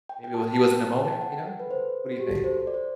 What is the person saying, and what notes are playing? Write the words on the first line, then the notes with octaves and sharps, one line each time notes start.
Maybe Well he was in the moment, you know? But, what do you think?
G5
G5
A5
G5
A5
A5
A5
G5
F#5
A4
B4
C5
F#4
G4
A4
C5
C5
D5
C5